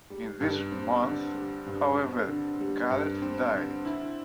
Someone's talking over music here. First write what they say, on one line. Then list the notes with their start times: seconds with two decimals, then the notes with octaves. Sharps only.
In this month, however, Garrett died.
0.10 G3
0.41 G2
0.72 C4
1.03 D3
1.34 G3
1.66 G2
1.97 C4
2.28 D3
2.60 G3
2.90 G2
3.22 C4
3.54 D3
3.85 E4